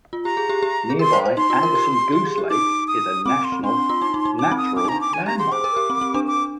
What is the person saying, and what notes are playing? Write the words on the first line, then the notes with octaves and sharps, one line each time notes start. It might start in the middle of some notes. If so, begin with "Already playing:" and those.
Nearby Anderson Goose Lake is a National Natural Landmark.
F4
G4 A#5
G#4
G4
G4
G#4
A#4 C6
C5
C5
D#4 C6
F4
A#4
G4
G4
G#4
G4
D#4 D6
D#6
C4 D6
C6
C4
D4 C6
F4
D#4
D#4
D#4
D#4 D6
C4
D#6
D4 D6
D#4
D4 A#5
D6
G#5
G4 A#5
G#4 C6
C5 D6
A#4
G4
C4
C4
D4
D6